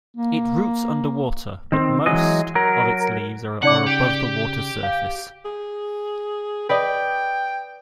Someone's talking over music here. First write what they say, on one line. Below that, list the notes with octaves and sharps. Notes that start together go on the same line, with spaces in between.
It roots underwater, but most of its leaves are above the water surface.
A#3
D#3 C4
E3 F#3 G#3 D#5
F#3 A#4
C#3 D#4 D5 F#5 D6
G4
F5
G#4
B4 D5 D#5 G5